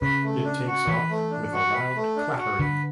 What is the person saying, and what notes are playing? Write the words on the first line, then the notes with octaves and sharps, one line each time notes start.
It takes off with a loud clattering.
C#3 B4
A3
D4
F#4
E3 B4
A3
D4
F#4
B4
A3
D4
F#4
D3 B4